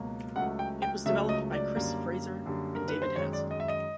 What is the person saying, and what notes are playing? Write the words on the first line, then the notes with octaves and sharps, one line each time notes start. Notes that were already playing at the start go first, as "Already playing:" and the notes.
It was developed by Chris Fraser and David Hanson.
Already playing: C#2 B2 F#3 A#3
C#2 C#3 F#3 A3 F#5
G5
G5
C#2 C#3 F#3 A3 E5
D#5
D5
F#2 D3 G3 A#3
F#2 D3 G3 A#3
A#4
B4
C5
F#2 D#3 G#3 C#5
D5
D#5
E5
D#5